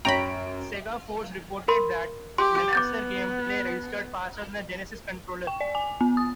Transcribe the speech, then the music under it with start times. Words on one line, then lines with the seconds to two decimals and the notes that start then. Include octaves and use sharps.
"Sega Force" reported that Menacer gameplay registered faster than the Genesis controller.
0.05 F#2 C#5 G5 A#5 B5 D7
1.68 A#4 B5 C6
2.38 G4 C6
2.73 B3 D6 G6 A6
5.47 G5
5.61 D5
5.75 G#5
6.01 B3
6.17 D#6